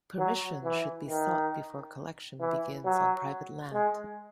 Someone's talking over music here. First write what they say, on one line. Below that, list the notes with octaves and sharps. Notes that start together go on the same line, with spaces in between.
Permission should be sought before collection begins on private land.
F#3
E3
D#3
E3
F#3
G#3